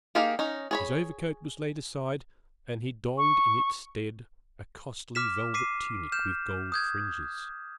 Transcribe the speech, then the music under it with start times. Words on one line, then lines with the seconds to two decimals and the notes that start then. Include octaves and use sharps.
His overcoat was laid aside, and he donned in its stead a costly velvet tunic with gold fringes.
0.15 A#3 D#4 G4 G#4 F5
0.39 C#4 D#4
0.71 G#4 C#5 B5
3.18 C#6
5.15 D6 F6 B6 E7
5.54 D6 B6 C7 D#7
6.12 F6 G6 E7
6.72 D#6 G6 G#6